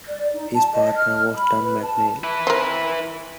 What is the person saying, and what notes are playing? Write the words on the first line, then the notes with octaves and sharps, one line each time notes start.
His partner was Don McNeill.
D5
D#4
A5
D#5
F6
B5
B4
A5
E4 B4
C4 A#4